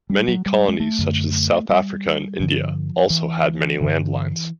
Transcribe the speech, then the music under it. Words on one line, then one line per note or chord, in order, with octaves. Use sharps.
Many colonies such as South Africa and India also had many land lines.
G3
F#3
G3
G#3
A3
F#2 D3
G3
G2 D3 F3
E3
G2 D3 E3